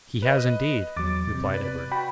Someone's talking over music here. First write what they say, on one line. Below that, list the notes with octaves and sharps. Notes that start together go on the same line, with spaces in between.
"He has, indeed," replied Edward.
B4 D#5
E2 F#3 D6 A6
C3
B4 D5
F#4 G5 B5